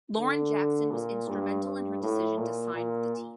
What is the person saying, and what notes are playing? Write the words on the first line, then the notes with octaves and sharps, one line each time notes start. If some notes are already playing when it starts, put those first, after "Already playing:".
Lauren Jackson was instrumental in her decision to sign with the team.
D3
A#2
G2
G2
A2
A#2
A#2